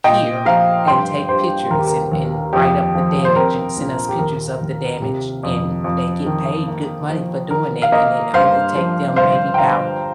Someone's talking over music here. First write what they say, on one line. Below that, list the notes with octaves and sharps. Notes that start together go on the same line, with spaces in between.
here and take pictures, and and write up the damage, and send us pictures of the damage." And they get paid good money for doing that, and it only take them maybe 'bout,
A#2 D#5 G5
F3 F5 A#5
G2 G5 C6
G2 G4 C5
D#2 A#4
G4
A#4
D#2
F2 G4
F3
C5
C4 A#4
A#1
G4
D#2 A#4
D#2
C3
F2
F2
D#3
A#3
F3
D#3 A#4
F5
A#3 A#4 D#5
G2 C5 F5
F3
G1 C5 F5
G5
G1 F5 A#5